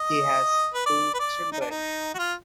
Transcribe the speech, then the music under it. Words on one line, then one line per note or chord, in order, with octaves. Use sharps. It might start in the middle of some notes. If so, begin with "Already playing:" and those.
He has two children.
Already playing: D#5
B4
D5
B4
D5
D#4
D4
D#4
F#4
F4